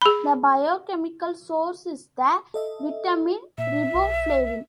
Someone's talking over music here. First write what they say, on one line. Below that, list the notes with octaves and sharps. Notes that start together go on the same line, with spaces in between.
The biochemical source is the vitamin riboflavin.
G#4 B5
A4 D#5 E5
A#2 E5
B1